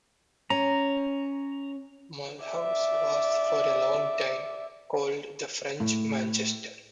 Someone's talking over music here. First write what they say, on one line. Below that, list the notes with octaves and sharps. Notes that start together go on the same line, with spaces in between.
Mulhouse was for a long time called the French Manchester.
C#4 A#5
D5 E5
A2